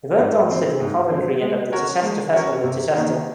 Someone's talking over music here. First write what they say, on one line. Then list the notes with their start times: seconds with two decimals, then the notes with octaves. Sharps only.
He worked onstage in Coventry and at the Chichester Festival in Chichester.
0.18 G#2
0.49 F#3 C4
0.80 G#2
1.10 F#3 C4
1.41 G#3
1.72 C#4 F#4 A#4 C#5
2.02 G#3
2.33 C#4 F#4 A#4 C#5
2.64 C3
2.94 D#3 A#3 D#4